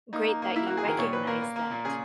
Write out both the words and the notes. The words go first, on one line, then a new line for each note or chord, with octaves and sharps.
great that you recognize that.
A#3 D#4
A#3
A#3
A#3 E4
F#4
A#3
G#4
D#3 A#4
A#2 C#5
A#2 B4
A#3 A#4
A#3
A#3
A#2
C#3 G#4